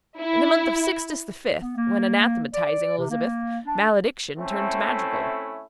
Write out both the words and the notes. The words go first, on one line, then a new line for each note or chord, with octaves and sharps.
In the mouth of Sixtus V., when anathematizing Elizabeth, malediction turned to madrigal.
E4
B3
A#3
D5
C3
A#3
D4
A3 C4 C#4 E4 A4